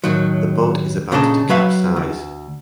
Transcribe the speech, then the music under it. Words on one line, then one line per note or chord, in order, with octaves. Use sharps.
The boat is about to capsize.
A2 D#3 F#3
A#2 C#3 D4 A4 D#5 A5
F#3 B4 C#5 E5 F5
D2